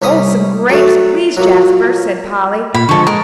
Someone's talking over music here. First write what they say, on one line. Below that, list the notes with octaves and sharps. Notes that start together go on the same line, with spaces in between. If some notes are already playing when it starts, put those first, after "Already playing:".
"Oh, some grapes, please, Jasper," said Polly.
C2 C#4 B5 D#6
F#3 A3
A#2 F#3
A#2 B5
D3 F3 G#3 A4 C#6
G#3 A#4